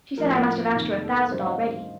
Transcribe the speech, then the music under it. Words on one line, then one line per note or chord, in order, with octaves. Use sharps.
She said I must have asked her a thousand already.
A1 A2 F3 A#4
A#4
F1 D#2 D#3
A4
A#4
A1 G2 D#3 C5
F5
D#5